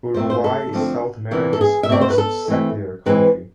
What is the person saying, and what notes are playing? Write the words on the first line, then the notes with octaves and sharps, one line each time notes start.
Uruguay is South America's most secular country.
B2 A3 C4 C5
C5
A4
D3 F3 A3 C4
C3 E3 B3 D4
A4
G#4
E5
B2 A3 C4 D5
C5
B4
A4
E3 A3 C4
E3 G#3 C4 B4